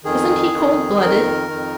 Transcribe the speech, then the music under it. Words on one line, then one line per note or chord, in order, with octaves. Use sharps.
Isn't he cold-blooded?
F2 D#3 G#4
F2 D#3
F2 D#3 A#4
F2 D#3